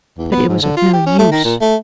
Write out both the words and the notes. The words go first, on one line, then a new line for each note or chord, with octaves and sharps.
But it was of no use.
E2
B3
G#2
D3
F4
G4
C#4
A3
D#3
A#2
A3